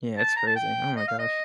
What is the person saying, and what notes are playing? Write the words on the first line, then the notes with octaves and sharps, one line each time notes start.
Yeah, it's crazy. Oh my gosh.
A5
A#5
A5
G5
D#5
F5
D#5